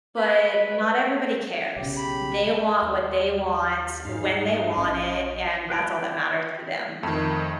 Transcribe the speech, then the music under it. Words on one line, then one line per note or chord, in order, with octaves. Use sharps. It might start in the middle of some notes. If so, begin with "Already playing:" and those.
but not everybody cares. They want what they want, when they want it, and that's all that matters to them,
B4
B1 C#3 G4
B5
D#2
G#2 D#4 G#4 F5
A#1 C#4 D#5
B4 G5
F2 D#3 A3